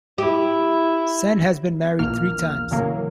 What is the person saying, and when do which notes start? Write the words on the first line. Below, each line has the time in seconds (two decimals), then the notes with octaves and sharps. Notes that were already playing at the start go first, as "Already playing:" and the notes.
Sen has been married three times.
0.18 E4 G4
1.99 A#1 E2 A#2 A#3 F6
2.71 A2 C#3 E3 F#3 A#3